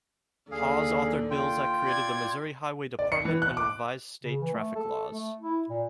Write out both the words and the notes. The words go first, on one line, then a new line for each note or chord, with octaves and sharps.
Hawes authored bills that created the Missouri Highway Department and revised state traffic laws.
D#2 D3 G#4 F5
F4 G5
D5 G#6
D5
C#7
E3
F#6
D6
C#3
E3
A3
A4
A3
E4
A#2